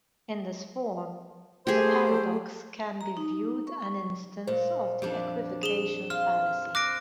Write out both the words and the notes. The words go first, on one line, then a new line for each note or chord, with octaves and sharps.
In this form, the paradox can be viewed an instance of the equivocation fallacy.
A3 G4 G#4 C5
A#5
D#4
C#6
A#2 C5
F2 G3 D4
G#4 E7 G7
F4 F6
C5 D6 F#6 A#6 D7